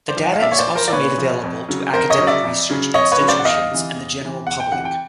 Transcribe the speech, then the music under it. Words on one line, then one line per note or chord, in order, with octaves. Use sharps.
The data is also made available to academic research institutions and the general public.
C5 D5
F3
F#5
F5
A#2 D5 E5
C#5
C5 D5
F3
A#4 C5
D5
A#2 B4 C#5
F3
F2
C#3 F#3
F2 A#4 C5
C#5 D#5
C#3 F#3
D5 E5
F2
C#3 F#3
F2 C#5 D#5
B4 C#5
C#3 F#3
C5 D5
F#5
E2 D#5 F5
C3 E3
E2
C3 E3
E2 F#5
G5
C3 E3 F#5
G5